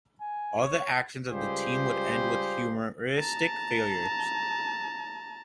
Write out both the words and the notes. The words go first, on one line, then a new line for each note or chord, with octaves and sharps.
All the actions of the team would end with humoristic failures.
G#5
C#5
C#2 G3 F4 G4 G#4 C5
A5 A#5